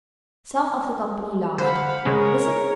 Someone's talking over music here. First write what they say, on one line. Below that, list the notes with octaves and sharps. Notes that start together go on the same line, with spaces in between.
Some of the company laughed--Mrs.
D3 C5 F5 F#5 B5
C#3 G#3 C#4 G#4 A#4 C#5